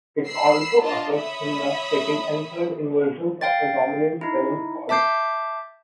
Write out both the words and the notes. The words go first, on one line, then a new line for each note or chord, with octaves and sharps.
It also occurs in the second and third inversions of a dominant seventh chord.
B5 E6 C7
D4 F4 D#5 A5
C#5 E5 B5 D#6
F5 G5 A6
D#4 E4
E5 A5 D6 G6 C7